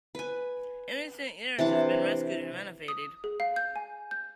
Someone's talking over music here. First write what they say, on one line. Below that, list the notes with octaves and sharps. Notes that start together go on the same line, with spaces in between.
In recent years it has been rescued and renovated.
B4 G#5
C3 E3 D4 A5
D#6
G#4
F5
G6
G#5
G6